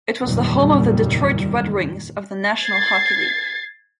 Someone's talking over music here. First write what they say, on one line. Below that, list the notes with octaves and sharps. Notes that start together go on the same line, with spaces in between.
It was the home of the Detroit Red Wings of the National Hockey League.
F#1 E2 A#2 D#3 G3
G#6 A6 C7